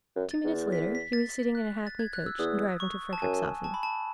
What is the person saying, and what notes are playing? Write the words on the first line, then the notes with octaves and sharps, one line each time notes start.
Two minutes later, he was sitting in a hackney-coach and driving to Frederickshafen.
F#2
A6
E2
B6
B6
A6
F#6
A6
G#6
F#6
E6
E2 D#6
C#6
A5
F#2 G#5
A5
B5
A5